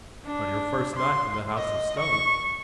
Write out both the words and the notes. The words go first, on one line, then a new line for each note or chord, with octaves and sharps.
"On your first night in the House of Stone."
D4
C6
D#5
C#6